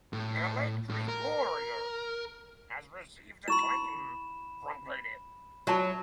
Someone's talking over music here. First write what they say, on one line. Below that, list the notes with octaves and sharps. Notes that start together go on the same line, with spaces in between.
"Electric Warrior" has received acclaim from critics.
A2
A2
A#4
E4 B5 C#6 E7
F#3 F4 E5 A5